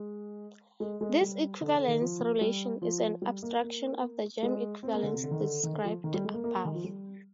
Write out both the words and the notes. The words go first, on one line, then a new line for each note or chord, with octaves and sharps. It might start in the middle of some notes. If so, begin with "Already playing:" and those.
This equivalence relation is an abstraction of the germ equivalence described above.
Already playing: G#3
G#3
G#3
G3
D3
D3
D#3
F3
G3
F3
G3
A#3
A#3
G#3
C4
A#3
D3
C3
D3
D#3
D3
D#3
D3
F3
D#3
G3
G#3
A#3
A#3
A#3
D#3
F3
G3